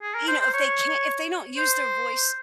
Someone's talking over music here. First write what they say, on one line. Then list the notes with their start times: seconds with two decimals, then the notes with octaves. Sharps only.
you know, if they can't if they don't use their voice
0.02 G#4
0.14 A#4
0.28 C5
0.41 C5
0.54 C#5
1.57 C5